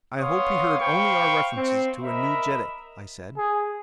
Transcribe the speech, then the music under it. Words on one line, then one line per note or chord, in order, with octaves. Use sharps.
"I hope he heard only our references to a new Jeddak," I said.
B3 C#5 F5 C6 D#6
C5 F5 G5 B5 C#6
C4
A#4 D#5 E5 B5
G#4